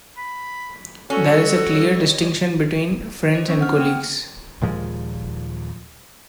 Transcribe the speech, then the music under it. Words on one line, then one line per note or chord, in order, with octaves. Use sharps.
There is a clear distinction between "friends" and "colleagues".
B5
G3 C#4 F#4 A4 C#5 D#5
C5 D#5
B3 C#4 D#4 C5 C#6
F#5 F6
A#3 C4 G5
D#2 A#2 F3 G#3